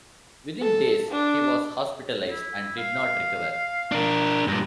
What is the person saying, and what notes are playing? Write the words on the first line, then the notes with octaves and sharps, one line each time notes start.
Within days, he was hospitalized, and did not recover.
A4
D4
E4
F5
D4 A#4
G2 A#2 A#5